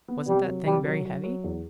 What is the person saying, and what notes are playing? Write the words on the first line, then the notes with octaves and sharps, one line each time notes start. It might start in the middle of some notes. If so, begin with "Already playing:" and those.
"Wasn't that thing very heavy?"
B3
C3 G3
F#3
C3 G3
F#3
F#3
F#3
E2